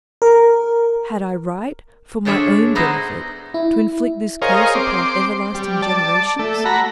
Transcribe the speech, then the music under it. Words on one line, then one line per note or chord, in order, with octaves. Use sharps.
Had I right, for my own benefit, to inflict this curse upon everlasting generations?
A#4
A2 G#3 D4 C#5 D5 E5
B3 D#4 E4 C5
E4
G#4 A#4 C5 C#5 D#5 F5
C4 C6 D6
G3
D5 A5
A3
F#4 A#5 B5